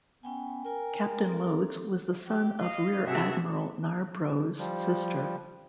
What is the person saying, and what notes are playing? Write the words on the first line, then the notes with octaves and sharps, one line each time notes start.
Captain Loades was the son of Rear Admiral Narbrough's sister.
B3 C#4 G5 G#5
A#4 G5 G#5
C4 A4
G4
D#5 F5
C3 F#4 G#4 E5 A5 E6
F3 G3